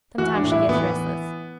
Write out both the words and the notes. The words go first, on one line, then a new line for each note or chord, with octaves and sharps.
Sometimes she gets restless.
E3 F#4
D4
A2
E4
E3 B3